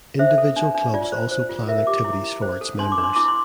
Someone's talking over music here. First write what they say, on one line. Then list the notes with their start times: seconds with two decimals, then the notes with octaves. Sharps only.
Individual clubs also plan activities for its members.
0.19 C5 E5
0.38 A4
0.56 D4
0.75 D4
0.94 F4 D5
1.12 C5
1.31 C5
1.49 F4
1.68 A#4 E5
1.87 G4 D6
2.04 E4
2.24 E4
2.42 C5
2.61 A4
2.79 D4 C6
2.92 D6
2.98 D4
3.04 C6
3.16 E4 D6
3.28 C6